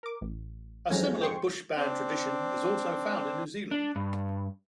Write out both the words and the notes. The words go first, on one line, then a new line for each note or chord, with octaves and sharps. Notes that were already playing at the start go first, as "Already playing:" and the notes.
A similar bush band tradition is also found in New Zealand.
A#4 D6
A1
F2 G#2 E3 F#3 C#4 A#5
G5 C6 C#6
C4 D4
D4
G2